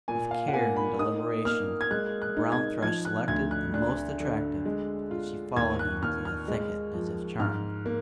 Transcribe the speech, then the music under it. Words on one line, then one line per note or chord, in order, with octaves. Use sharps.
With care and deliberation the brown thrush selected the most attractive, and she followed him to the thicket as if charmed.
A#2 G#5
F5
F#5
A#3 G#5
B5
D#4 D#6
A#3 F6
G#6
G#3 F#6
F#6
D#4
G#6
F3 G#6
F#6
D2 G#6
F#6
D4 F#6
D3
G#3
F4
D#2 G#6
F#6
D#2 F6
F6
G#3
F3
G#2 F6
A#3